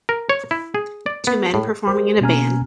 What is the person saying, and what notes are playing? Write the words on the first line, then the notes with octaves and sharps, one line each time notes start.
Two men performing in a band.
A#4
C#5
E4
G#4
D5
B3
A2
G4 A#4 C5
B2 A#3 C#4 G#5 A#5 F6